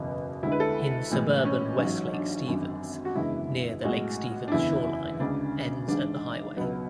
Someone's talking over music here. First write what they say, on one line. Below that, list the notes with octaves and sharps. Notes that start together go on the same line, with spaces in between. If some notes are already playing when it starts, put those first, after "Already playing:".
In suburban West Lake Stevens near the Lake Stevens shoreline, ends at the highway.
Already playing: F#1 E2 B2
D2 D3 G#3 E4
B4
A4
B1 A2 E3 G#3
C#4
A1 G#2 F#3
D4
G#1 F#2 D3
F#4
F#1 E2 D3 G#3 E4
B1 A2 G#3 F#4
D4
F#1 E2 D3 E4
D2 C#3 G#3 D4
A1 G#2 G#3 D4
C#2 B2 F#3 B3